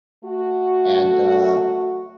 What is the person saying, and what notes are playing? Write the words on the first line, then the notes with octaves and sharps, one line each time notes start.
and, uh
A3 F#4